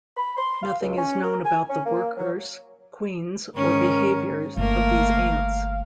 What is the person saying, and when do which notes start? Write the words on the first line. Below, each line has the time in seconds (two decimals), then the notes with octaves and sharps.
Nothing is known about the workers, queens, or behavior of these ants.
0.17 B5
0.37 C6
0.63 F5
0.80 C#2
0.97 C#4
1.22 A#4
1.45 G#5
1.69 C#4
1.86 A#3
2.17 F#3
3.56 G#2 D#3 C#4 A#4
4.57 G1 D3 A3 A#3 A#4 F5